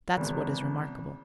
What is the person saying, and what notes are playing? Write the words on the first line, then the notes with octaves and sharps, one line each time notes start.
That's what is remarkable.
G#1 E2 C#3